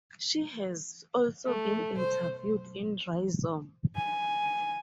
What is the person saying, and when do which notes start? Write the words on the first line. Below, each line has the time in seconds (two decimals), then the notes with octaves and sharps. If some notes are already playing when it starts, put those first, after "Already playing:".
She has also been interviewed in Rhizome.
1.46 A3
1.97 C5
3.96 G#5